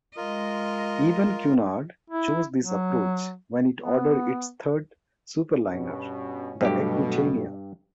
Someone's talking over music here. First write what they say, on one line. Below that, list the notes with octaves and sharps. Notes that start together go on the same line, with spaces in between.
Even Cunard chose this approach when it ordered its third superliner, the "Aquitania".
G#3 F4 A#4 D#5
E4
F#3
B3
G2 B2 C#4
G2 B2 F#3 A3 G4